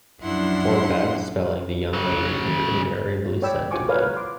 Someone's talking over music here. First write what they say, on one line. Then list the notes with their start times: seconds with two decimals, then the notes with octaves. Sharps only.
For bad spelling the young ladies were invariably sent to bed.
0.20 F#2 F3 D4 E4 F#5 C6
1.93 C#3 F#3
3.42 C#5 D5 G5 B5 E6
3.71 F4 C5 G#5 C#6 D6
3.89 A#4 B4 C#5 F5
4.04 C#5
4.16 C6 D6